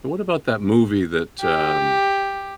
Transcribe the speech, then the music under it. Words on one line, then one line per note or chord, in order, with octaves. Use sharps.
And what about that movie that, um,
G4